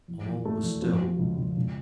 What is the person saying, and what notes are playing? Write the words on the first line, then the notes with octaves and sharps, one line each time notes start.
All was still.
E2
E2
A3
E2
F3
F3
C#2
C#2
C#2